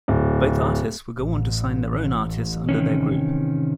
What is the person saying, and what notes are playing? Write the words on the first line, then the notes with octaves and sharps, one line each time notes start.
Both artists would go on to sign their own artists under their group.
D1
A1
C3 D#3 C#4